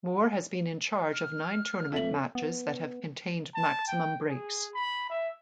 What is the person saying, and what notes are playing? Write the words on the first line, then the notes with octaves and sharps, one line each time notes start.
Moore has been in charge of nine tournament matches that have contained maximum breaks.
F6
F2 A4 E5 F#7
B3
A5
G5
G#4
B5
E5